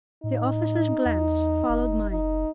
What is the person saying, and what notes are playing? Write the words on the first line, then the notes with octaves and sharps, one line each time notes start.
The officer's glance followed mine.
A2 D#4
E2
F#1
D#4